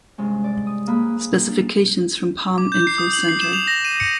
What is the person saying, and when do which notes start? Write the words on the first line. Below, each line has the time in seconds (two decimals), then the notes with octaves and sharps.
Specifications from Palm Info Center.
0.18 G2 C3 G#3 C#4
0.44 D5
0.67 D#6
0.87 A#3 G#4 B5 F#6
1.20 A#3
1.47 D4
2.58 D6
2.72 G6
2.87 C7
2.98 D#6
3.13 F#7
3.29 C7
3.41 E7
3.53 F7
3.68 A#6
3.85 D#7
4.00 C#7